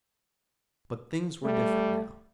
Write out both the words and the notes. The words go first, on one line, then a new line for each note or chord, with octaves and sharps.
But things were different now.
G3 A3